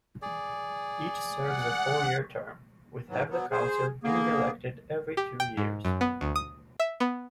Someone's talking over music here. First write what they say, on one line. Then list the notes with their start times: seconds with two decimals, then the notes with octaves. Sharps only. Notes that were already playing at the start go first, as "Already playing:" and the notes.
Each serves a four-year term, with half the council being elected every two years.
0.22 G#4 D5
1.39 F#5
3.09 G#2 E3 F#3
3.29 F#3 B3
3.51 G#4 C5
4.04 D3 A#3 B3 G#4
5.17 G4
5.40 G5
5.57 G#2
5.85 F#2
6.01 B3
6.21 D2
6.36 D#6
6.80 E5
7.00 B3